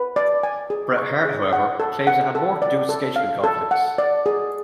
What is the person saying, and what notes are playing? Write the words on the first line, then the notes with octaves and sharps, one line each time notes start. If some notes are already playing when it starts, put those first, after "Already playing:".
Bret Hart, however, claims it had more to do with scheduling conflicts.
Already playing: B4
D5
G#5
G#4
C#6
G#4
F#5
A4
F#5
A4
D5
A4
F5
A4
F#5
D5
G#4